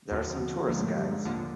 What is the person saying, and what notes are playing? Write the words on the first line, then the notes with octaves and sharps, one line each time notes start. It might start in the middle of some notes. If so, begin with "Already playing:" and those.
There are some tourist guides.
D#2 B2 D3 F3
B2
D#2 A#2 D3 F3
G#2
A2
G2
G#2
D#2 A#2 D3 F3